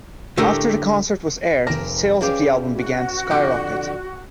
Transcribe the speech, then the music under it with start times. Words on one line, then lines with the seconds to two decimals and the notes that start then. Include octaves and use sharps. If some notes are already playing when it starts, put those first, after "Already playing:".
After the concert was aired, sales of the album began to skyrocket.
0.37 A2 D3 A3 G4 A#4
1.67 F1 A#3 C4 A#4 A#6
2.21 E3 G3 C#4 E4 G4 G#4 B4 F5
2.74 F#4
3.31 F2 D3 G4